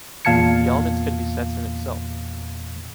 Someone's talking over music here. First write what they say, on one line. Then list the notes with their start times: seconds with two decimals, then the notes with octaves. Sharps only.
The elements can be sets in itself.
0.25 E2 A#2 F5 A5 G#6 C#7